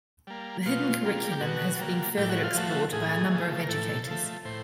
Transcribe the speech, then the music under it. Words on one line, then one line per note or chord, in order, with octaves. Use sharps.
The hidden curriculum has been further explored by a number of educators.
G3 A#3
B2 F4
G3 A#3
G4
B2 F#4
G3 A#3
A2 G4
F#4
F4
F3 A3 F#4
A2 G#4
F3 A3
A#4
A2 A4
F3 A3
A2 C5